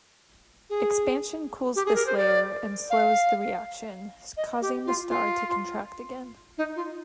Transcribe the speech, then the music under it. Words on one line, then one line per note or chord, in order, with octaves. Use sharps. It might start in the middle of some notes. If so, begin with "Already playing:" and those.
Expansion cools this layer and slows the reaction, causing the star to contract again.
G#4
G4
G#4
A#4
C5
D5
F5
D#5
G4
F4
F4
D#4
F4